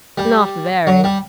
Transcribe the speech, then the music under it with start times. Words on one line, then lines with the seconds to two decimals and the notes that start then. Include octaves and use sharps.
"Not very."
0.18 G3
0.87 F#3
1.04 G3